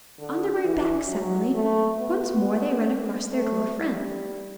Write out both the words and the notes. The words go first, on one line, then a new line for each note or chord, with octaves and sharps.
On their way back, suddenly, once more they ran across their dwarf friend.
D3
E3
F#3
A3
B3
A3
G3